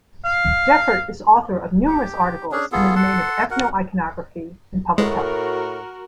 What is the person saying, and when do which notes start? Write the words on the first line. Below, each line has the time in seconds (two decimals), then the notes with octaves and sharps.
Defert is author of numerous articles in the domain of ethno-iconography and public health.
0.25 F5
1.87 G4
2.52 C#4 D4 G#4
2.72 B3 F4 G#4 A4
2.96 A4 F#5 A5 C6
3.51 F#4 A#4 F#5
4.98 A2 G#3 F#4 A#4